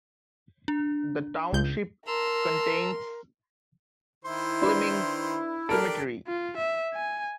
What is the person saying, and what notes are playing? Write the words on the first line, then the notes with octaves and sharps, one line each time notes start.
The township contains Fleming Cemetery.
D4
C#2 G6
A#4 A5 A#5 C6 E6
D#3 E4 C5 C6
D4 B4 B5
D4 G4 A4 A#4 D5 D7
F4
E5
G#5